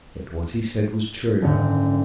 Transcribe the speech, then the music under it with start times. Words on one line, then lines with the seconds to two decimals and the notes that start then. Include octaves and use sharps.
Yet what he said was true.
1.42 F#1 G#2 D3 G6